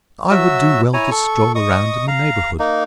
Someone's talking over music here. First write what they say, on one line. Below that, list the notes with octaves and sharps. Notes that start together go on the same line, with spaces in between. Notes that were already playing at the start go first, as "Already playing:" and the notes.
I would do well to stroll around in the neighborhood.
F#3 F#4 E5 E6
E4 C#5 G#5 A#5
A4 C#6
D#5 C#6 D#6
F5 A#5
A#3 D#4